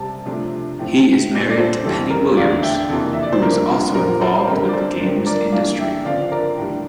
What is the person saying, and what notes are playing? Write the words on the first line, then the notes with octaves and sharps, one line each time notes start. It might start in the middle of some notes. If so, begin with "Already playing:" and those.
He is married to Penny Williams, who is also involved with the games industry.
Already playing: C3 G3 C4 A5
C3 F3 A3 D4
A2 F3 A3 C4
A#2 G3 D4
D5
A4 C5
F2 E3 G3 C4 A4
A#4
E2 D3 A3 D4 D5 F5
E5 G5
F2 C3 E3 A#3 A4
E5
D5
C5
G2 F3 A#3 D4 A#4
A#2 F3 C4 A#4
A4 C5
G2 D3 G3 C4 A#4
D5
A4 C5
G2 D3 F3 C4 A#4
A#4 D5
G2 E3 A#3 D4 D5 F5
E5 G5
D3 F3 C4 D5 F5
A#4 D5
A2 G3 D4